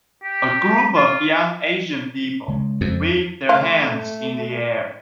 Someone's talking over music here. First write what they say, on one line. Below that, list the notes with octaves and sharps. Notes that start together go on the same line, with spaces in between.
A group of young Asian people wave their hands in the air.
G4
F4
C#3 G#3 C#4
F2
A3 F4